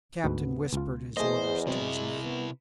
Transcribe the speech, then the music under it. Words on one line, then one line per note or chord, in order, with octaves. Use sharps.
The captain whispered his orders to his men.
D2 G#2 B3 B4
C#2 F4
E2 A3 A#3 G#4 C5 D#5
C3 F#3 C4 E4
B3